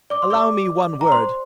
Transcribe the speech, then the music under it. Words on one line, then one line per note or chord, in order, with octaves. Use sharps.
Allow me one word.
D5 D6
C6
G4 D5 D6
A#5
C5 C6